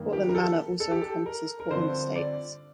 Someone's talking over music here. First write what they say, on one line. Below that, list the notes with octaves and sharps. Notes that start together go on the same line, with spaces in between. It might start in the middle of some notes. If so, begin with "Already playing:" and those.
Cortlandt Manor also encompasses Cortlandt Estates.
Already playing: G2 D#3 A#3
G4
A#4
A4
A4
G4
A4
A#4
A#4
G2 D3 F3 C4 C5
D5